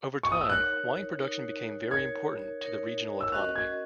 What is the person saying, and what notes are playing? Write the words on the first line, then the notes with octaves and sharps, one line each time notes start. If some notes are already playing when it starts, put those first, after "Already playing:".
Over time, wine production became very important to the regional economy.
C#6
D#6
E6
D#4 A#4 C#5 F#6
D#4 A#4 C#5
D#4 A#4 C#5 G#6
D#4 A#4 C#5
E6
C#4 F#4 A#4 D#5 F#5 F#6
G#6